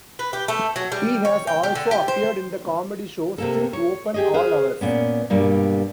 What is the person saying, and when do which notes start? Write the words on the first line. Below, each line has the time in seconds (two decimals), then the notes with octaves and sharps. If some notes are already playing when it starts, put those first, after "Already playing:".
He has also appeared in the comedy show Still Open All Hours.
0.19 B4
0.33 G4
0.48 A3
0.76 F#3
0.92 G3
1.25 C#5
1.47 G5
1.63 G4
1.75 D3
1.91 G4
2.08 C5
3.38 C3 A#3 A4
3.73 C#5
4.14 G4 G#4 D#5
4.34 G#4 B4 C5 F5
4.81 A#2 B3 C#4
5.30 G2 B2 G3 A#3